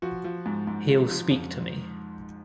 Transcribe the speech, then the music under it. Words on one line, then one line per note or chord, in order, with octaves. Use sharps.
He’ll speak to me.
F3 F#4
F3
G#2
G#2
F3
F3
F2